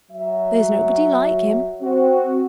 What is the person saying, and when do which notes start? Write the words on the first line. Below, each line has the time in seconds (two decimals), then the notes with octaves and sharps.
There's nobody like him.
0.11 F#3 E5
1.82 C4 F#4